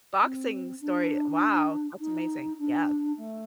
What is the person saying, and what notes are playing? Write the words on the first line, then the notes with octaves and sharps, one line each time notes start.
boxing story. Wow, that's amazing, yeah.
C4
D4
D#4
D4
A3